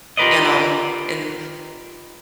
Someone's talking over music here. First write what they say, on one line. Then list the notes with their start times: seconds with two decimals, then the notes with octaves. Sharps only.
and, um, and,
0.17 F4 G4 A#4 B4 D5 D#5